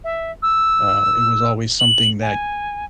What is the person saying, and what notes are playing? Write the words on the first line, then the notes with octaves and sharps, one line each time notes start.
uh, it was always something that
E5
E6
F#7
G#5